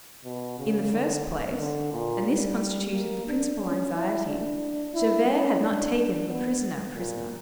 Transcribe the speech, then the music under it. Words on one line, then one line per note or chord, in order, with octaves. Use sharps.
In the first place, and this constituted the principal anxiety, Javert had not taken the prisoner prisoner.
B2
C#3
D3
D3
A#2
G3
A#3
D4
C#4
E4
D4
E4
C#4
D4
D4
B3
A#2